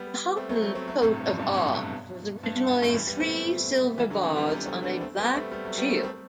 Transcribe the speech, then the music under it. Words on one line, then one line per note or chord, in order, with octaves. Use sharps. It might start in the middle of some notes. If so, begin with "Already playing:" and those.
The Haughton coat of arms was originally three silver bars on a black shield.
Already playing: G3 B3
A3 C4
F#3 A3
F#3 A3
A3 C4
F#3 A3
A2 C3
G2
F#2 A2
G2 B2
A2 C3
G2 B2
G2
G2
G2
F#2 A2
E3 G3
G3 B3
A3 C4
E3 G3
D3 F#3
C3 E3
G3 B3
G3 B3
A3 C4
B3 D4
A3 C4
G3 B3
A3 C4
G3 B3
F#3 A3
G3 B3
A3 C4
A3 C4